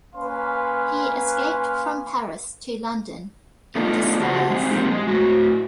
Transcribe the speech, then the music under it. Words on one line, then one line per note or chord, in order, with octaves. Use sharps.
He escaped from Paris to London, in disguise.
A#3 C#4 B4 F5 G#5 C6
A3 B3 D4 D#4 F4
C#3 F#4 G4 C5 F#5 A5
G#3 B3 C4
A#2 F3 A#3 C4 D#4 G4
G#3
A2 F#4